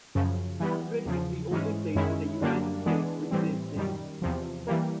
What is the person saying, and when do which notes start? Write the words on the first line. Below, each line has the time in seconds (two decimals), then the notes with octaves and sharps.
Hundred is the only place in the United States with this name.
0.15 F#2 C#3 F3
0.60 E3 G3 B3
1.06 E2 C#3 F3
1.51 G#2 E3 G#3 C#4
1.95 F#2 D#3 G#3 C#4 E4
2.41 F#2 D3 G3 A#3 D4
2.86 E3 G#3 B3 D4
3.31 A2 E3 G3 C4
3.76 F#2 D#3 G3
4.22 E2 C3 F3
4.67 E3 G3 A#3